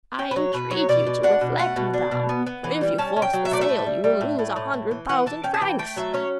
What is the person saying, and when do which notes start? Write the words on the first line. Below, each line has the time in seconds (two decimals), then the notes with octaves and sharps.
"I entreat you to reflect, madame; for if you force the sale, you will lose a hundred thousand francs."
0.19 C#4 G5
0.31 B4
0.36 F#3 C#5
0.53 B2 B4
0.71 F#3 C#5
0.89 B2 D5
1.06 B2
1.23 D4 F#5
1.41 B2
1.58 A3 F#5
1.76 B2
1.94 D4
2.11 B2
2.29 B3
2.47 B3
2.64 E3
2.81 G3
2.98 C#4 A5
3.16 C#4
3.22 G5
3.33 F#3
3.45 E5
3.51 A3 D5
3.61 E5
3.69 A2
3.86 G3
4.04 G3
4.21 A2
4.39 A2
4.56 A2
4.74 A2
4.91 E3
5.09 E3 F#5
5.26 E3 A5
5.44 C#4 G5
5.54 A5
5.61 E3 G5
5.79 A3 G5
5.96 F#3 E5
6.14 C#4 C#5